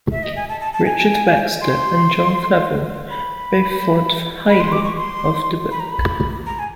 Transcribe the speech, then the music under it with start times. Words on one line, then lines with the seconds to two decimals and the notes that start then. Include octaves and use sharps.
Richard Baxter and John Flavel both thought highly of the book.
0.12 E5
0.23 D#5
0.36 G#5
0.49 A5
0.61 A5
0.73 A5
0.86 G#5
1.61 C6
3.10 B5
4.49 B5
4.60 C6
4.72 D6
4.84 C#6
4.97 C6
5.71 B5
5.80 A#5
5.90 B5
6.46 A#5
6.59 G#5